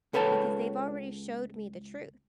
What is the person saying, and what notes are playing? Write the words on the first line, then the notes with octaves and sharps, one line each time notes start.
because they've already showed me the truth.
C#2 A4 B4 C#5 A5